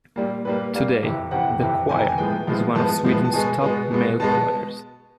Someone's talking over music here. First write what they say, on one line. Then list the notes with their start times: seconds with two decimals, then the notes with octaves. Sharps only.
Today, the choir is one of Sweden's top male choirs.
0.16 A#2 G3 A#3
0.45 A#2 G3 A#3 B4
0.74 A#2 G3 A#3 F5
1.03 F2 C3 E3
1.31 F2 C3 E3 F#5
1.60 F2 C3 E3
1.89 F2 C3 E3 G#5
1.99 A#5
2.08 G#5
2.18 A2 F3 G#3 B3 G5
2.47 A2 F3 G#3 B3
2.75 A2 F3 G#3 B3 A5
3.04 A2 F3 G#3 B3
3.24 A5
3.33 B2 G#3 B3 G#5
3.62 B2 G#3 B3
3.91 B2 G#3 B3
4.20 B2 G#3 B3 A5